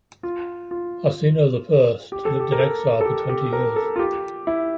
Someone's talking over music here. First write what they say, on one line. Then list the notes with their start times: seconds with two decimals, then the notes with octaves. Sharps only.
Arsinoe the First lived in exile for twenty years.
0.23 F4
0.71 F4
2.12 G4
2.25 A4
2.40 G4
2.52 A#4
2.59 A4
3.01 A4
3.06 G4
3.29 G4
3.53 A#4
3.76 A4
3.96 F4
3.99 G4
4.47 E4